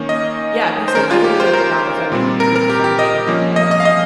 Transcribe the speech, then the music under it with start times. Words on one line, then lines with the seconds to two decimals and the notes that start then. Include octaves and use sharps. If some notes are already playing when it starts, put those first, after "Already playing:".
Yeah, he said, "I really like the dog, I thought it made me look friendly." I'm like, "Oh, ok"
Already playing: D#3 A#3 C#4
0.09 D#5
0.88 C5
0.95 D#3 G#3 C#4 A#4
1.11 F4
1.24 G4
1.40 C5
1.53 A#4
2.12 A#2 G3 C4
2.40 A#4
2.56 A#4
2.70 G4
2.84 G4
2.99 D#5
3.27 F3 A#3 C#4
3.56 D#5
3.71 D#5
3.80 F5
3.85 D#5